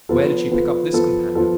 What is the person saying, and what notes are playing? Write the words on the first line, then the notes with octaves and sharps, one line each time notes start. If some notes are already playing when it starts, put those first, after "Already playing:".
Where did she pick up this companion?
F3 B3 F4 A4
F3 B3 F4 A4
F3 B3 F4 A4
F3 B3 F4 A4